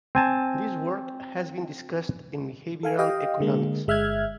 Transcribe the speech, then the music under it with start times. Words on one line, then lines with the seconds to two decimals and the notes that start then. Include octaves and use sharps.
This work has been discussed in behavioral economics.
0.15 C4 G#5 A5
2.83 A4 F5 G#5
2.99 G4 D#5 F5 G5
3.40 D3 G#3 A#3
3.87 G1 G#3 E5 F6 F#6 G#6